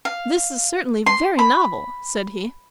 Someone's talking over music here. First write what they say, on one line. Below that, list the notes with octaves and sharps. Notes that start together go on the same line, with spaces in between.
"This is certainly very novel," said he.
F5
C6
B5